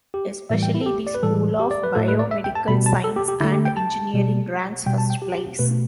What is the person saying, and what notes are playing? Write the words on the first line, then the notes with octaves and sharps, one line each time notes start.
Especially the School of Biomedical Science and Engineering ranks first place.
G4
A2 E3 G3 E5
G5
E4
A4
G4
D5
B4
A2 E3 G3 A4
G4
D5
B4
A2 A3 A4
B4
D5
E5
G5
A5
B2 G3 B5
A5
A4
G4
G4
D3 A3 E4
G4
G5
A5
B2 G3
B2 G3 G5
A5
G5
G4
G4
B2 A3 B4